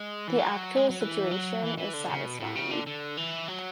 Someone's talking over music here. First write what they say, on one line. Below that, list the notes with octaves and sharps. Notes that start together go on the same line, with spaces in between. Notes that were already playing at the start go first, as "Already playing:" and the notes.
The actual situation is satisfying.
Already playing: G#3
E3
F#3
G#3
F#3
E3
F#3
E3
E3
D3
C#3
B2
A2
C#3
D3
D3
E3
F#3